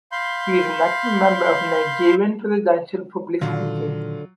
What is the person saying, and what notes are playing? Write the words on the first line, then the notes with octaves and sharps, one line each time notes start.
He is an active member of Nigerian presidential publicity team.
F5 B5 C6 G6
A#2 D3 D#3 F#3 F4